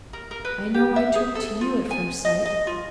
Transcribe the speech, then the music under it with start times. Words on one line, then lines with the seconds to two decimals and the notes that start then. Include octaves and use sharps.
I know I took to you at first sight!
0.13 A#4
0.31 A#4
0.45 B4
0.74 G4
0.96 E5
1.15 G#4
1.35 A4
1.61 F4
1.91 G#5
2.25 D#5
2.46 D#5
2.67 F4